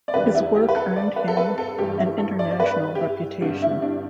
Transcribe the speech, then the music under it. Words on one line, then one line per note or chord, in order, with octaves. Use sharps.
His work earned him an international reputation.
D5
E2 D3 G3 B4
G4
E4
G4
B4
A4
D5
B4
A4
B4
A4
G2 E3 G3 G4
E4
A4
D5
D5
B4
G4
E4
G2 D3 G3 D4
E4
D4